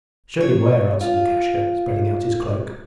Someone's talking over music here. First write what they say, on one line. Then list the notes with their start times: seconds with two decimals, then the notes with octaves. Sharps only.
'Showed him where,' answered Lukashka, spreading out his cloak.
0.41 C#5
1.01 F4